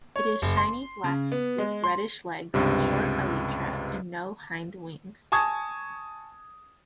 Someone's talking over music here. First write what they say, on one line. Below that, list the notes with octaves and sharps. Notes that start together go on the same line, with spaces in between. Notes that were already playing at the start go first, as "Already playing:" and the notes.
It is shiny black with reddish legs, short elytra and no hind wings.
C#5
F#1
C6
C#3
B3
G#3
C6
C#2 G2 C3
G#5 A5 C#6 D#6 G#6